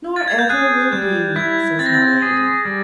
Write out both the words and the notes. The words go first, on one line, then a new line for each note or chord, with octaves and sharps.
"Nor ever will be," says my Lady.
A6
G#6
G6
G#4 F#6
G3 G6
E4 G#6
C4 A6
A#6
A6
G#4
G3